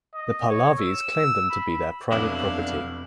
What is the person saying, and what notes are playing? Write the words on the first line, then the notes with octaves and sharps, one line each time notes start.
The Pahlavi's claimed them to be their private property.
D#5
C#5
E6
B5
F1 B2 F#3 D4 E4 F5 D6